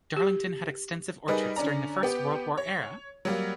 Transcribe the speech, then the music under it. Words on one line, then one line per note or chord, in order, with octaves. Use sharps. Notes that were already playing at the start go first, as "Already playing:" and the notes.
Darlington had extensive orchards during the First World War era.
G4
G3 D#4 G#4 A#4 B4 D#5
D3 C#4 D5 A#5
B3 G4
C#5
F#3 G3 A#3